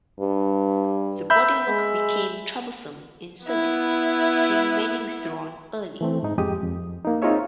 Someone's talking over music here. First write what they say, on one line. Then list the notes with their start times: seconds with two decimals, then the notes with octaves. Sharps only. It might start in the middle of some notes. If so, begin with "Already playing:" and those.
The bodywork became troublesome in service, seeing many withdrawn early.
0.20 G2
1.30 E5 B5 G6
1.68 G#3
3.46 B3 E4
6.01 E3 A3 C4
6.23 G#2 D#4
6.38 F2 G#3 G4 D#6
6.63 F2
7.05 A#3 D#4
7.22 C4 D#4 F4 G#4 C#5 E5